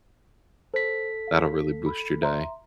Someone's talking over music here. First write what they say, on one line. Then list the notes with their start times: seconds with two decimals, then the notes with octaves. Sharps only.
That'll really boost your day.
0.74 A4 C5 B6
1.27 F5
1.86 B5
2.22 E5 A#5 C6